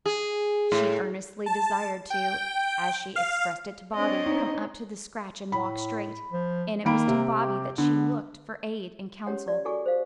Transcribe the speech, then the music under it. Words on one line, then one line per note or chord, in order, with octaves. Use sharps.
She earnestly desired to--as she expressed it to Bobby--"come up to the scratch and walk straight"; and it was to Bobby that she looked for aid and counsel.
G#4
A2
A5
G5
F5
C4 D4 C#5 D#5
D#4
A2 B5
F3
D#3 A#3 B5 D7
C3
G4
D3 B3
C#4 G4 C#5 F#5
D5
F#4 G#4 A4 G#5 C#6
C5 F5